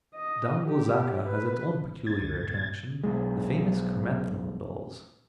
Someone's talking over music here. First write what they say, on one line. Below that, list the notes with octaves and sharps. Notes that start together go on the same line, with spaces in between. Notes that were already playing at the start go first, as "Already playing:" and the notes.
Dango Zaka has its own peculiar attraction, the famous chrysanthemum dolls.
D#5
G4
B4
G#6 A6
C#2 D3
G2 A#2
B1 G#3